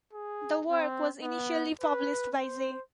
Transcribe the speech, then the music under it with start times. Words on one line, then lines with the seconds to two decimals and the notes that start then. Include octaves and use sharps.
The work was initially published by J.
0.13 G#4
0.70 C4
1.22 B3
1.81 B4
2.36 C5